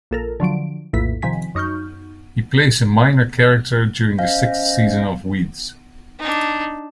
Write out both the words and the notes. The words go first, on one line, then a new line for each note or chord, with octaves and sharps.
He plays a minor character during the sixth season of "Weeds".
A#1 A4 A#4
D3 F3 F#3 D7
A#1 E2 A2 B6
C3 D#3 F3 G#5 B6
F#2 D#4 C#6 F6 G6
C#4 C5 D#5 F5
D4 D#4